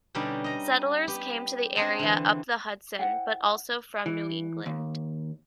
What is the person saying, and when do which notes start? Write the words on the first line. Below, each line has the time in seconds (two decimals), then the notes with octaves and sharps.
Settlers came to the area up the Hudson, but also from New England.
0.15 B2 D3 G3 C#4 D#4 D5
0.44 D#5 A#5
1.08 B3 G4
1.76 C4 D4 G#4 C5 G#5 A5
1.99 D3 E3
2.99 E4 C5 F#5 G5
4.06 E3
4.66 D#2